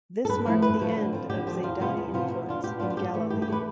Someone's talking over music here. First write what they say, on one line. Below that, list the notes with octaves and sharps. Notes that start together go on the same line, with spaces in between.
This marked the end of Zaydani influence in Galilee.
A4
G2 B4
F3 A3 E4
G2 B4
F3 A3 E4
D3
F3 C4
D3 G4
F3 C4 G4
E2 F4
C3 F3 B3 F4
E2
C3 F3 B3 F4
B2
B3 D4 F4
B2 G4
B3 D4 F4
F4
G2 G4
E3 A3
G2 G4
G4
E3 A3 B4